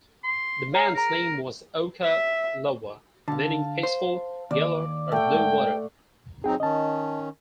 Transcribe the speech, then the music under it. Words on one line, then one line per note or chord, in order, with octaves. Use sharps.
The man's name was "Oka-laua," meaning peaceful, yellow, or blue water.
C6
C#5 F5 A#5 C#7
G#4 A#4 A#5
E5
D3 F5 A5
C5
D#2 D5
A3 F#5 G5
G#2
F#3 C4 D#4 G#4 G5
D#3 C#4 D#5 A5